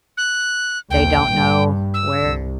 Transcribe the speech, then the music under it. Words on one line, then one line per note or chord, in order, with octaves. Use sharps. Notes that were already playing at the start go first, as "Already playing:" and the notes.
they don't know where,
F#6
A#1 D#2 G5
G2
E6
C2